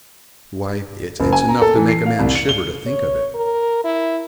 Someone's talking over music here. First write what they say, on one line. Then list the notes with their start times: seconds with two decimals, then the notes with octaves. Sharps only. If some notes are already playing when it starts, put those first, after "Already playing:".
Why, it's enough to make a man shiver to think of it.
1.20 F#1
1.33 G#5
1.49 A#5
1.62 A4
1.75 E3
1.89 C7
2.05 F5
2.19 C2
2.35 C#7
2.49 G7
2.86 C#5
3.34 A#4
3.84 E4